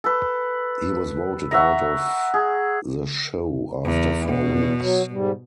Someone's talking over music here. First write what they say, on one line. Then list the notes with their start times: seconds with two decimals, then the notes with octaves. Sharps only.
He was voted out of the show after four weeks.
0.04 A4 B4
1.51 F#4 E5 A#5
2.34 G#4
3.85 E2
4.29 E2 B2
4.80 F#3
5.11 G#2 G3